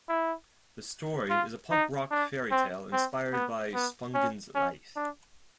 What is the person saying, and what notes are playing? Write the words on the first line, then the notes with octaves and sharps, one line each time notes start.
The story is a punk rock fairytale inspired by Spungen's life.
E4
F4
D#4
D4
C4
C4
B3
B3
C#4
C#4
D4